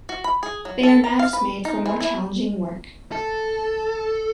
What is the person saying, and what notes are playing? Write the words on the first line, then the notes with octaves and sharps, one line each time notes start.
They are knives made for more challenging work.
F#4
B5
G#4
F#3
A4
A#5
F5
B4
D#4
E3
E4
A4